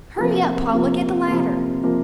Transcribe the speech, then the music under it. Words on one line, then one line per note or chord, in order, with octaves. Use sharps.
Hurry up, Paula, get the ladder.
C3 F3 A#3 F4 A#4
C3 F3 A#3 F4 A#4
C3 F3 A#3 F4 A#4
C3 F3 A#3 F4 A#4